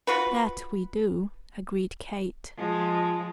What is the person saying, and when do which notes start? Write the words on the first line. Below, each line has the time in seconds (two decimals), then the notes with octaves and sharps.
"That we do!" agreed Kate.
0.07 F4 F#4 B4
2.57 F3 G#3